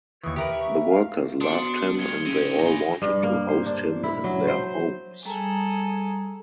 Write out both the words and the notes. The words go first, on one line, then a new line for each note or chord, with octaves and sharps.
The workers loved him and they all wanted to host him in their homes.
D#2 E3 C#6 D#6
G4 A#4 B4 E5
F5
B2 D4 C5 C6 D#6 C#7 D7
G2 F4 G#6 C#7 G7
C#3 C4 C#4 D#7 F7
A#1 A2 F4 G#5 A#6
G2
A#3
C5
D4
E4
F#3
C5
G3 G#4 A4 A#5